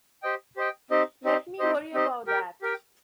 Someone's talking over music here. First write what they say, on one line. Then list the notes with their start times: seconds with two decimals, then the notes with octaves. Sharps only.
Let me worry about that.
0.22 G4 C5 D#5 G5
0.56 G4 C5 D#5 G5
0.90 C4 D#4 G4 C5 D#5
1.25 C4 D#4 G4 C5 D#5
1.59 C4 D#4 G4 C5 D#5
1.93 C4 D#4 G4 C5 D#5
2.27 G4 A#4 G5
2.62 G4 A#4 G5